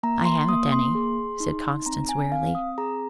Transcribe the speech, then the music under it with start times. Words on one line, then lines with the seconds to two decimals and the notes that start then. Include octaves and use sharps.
"I haven't any," said Constance wearily.
0.03 A#3 A#5
0.25 C6
0.49 A#3 D#6
0.72 C6
0.95 G#4
1.40 D#4
1.86 C4 A#5
2.09 G#5
2.32 C4 F5
2.55 D#6
2.78 G#4 A#5